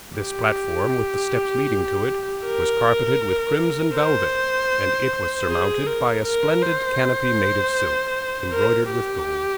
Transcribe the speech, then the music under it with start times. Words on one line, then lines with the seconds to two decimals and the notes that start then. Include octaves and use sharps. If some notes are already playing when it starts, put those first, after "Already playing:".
This platform, with the steps leading to it, was carpeted with crimson velvet, and it was surmounted by a splendid canopy made of silk, embroidered with gold.
0.17 G4
2.45 A#4
3.97 C5
5.49 G#4
5.86 A#4
6.25 A#4
6.62 C5
8.52 A#4
8.90 G4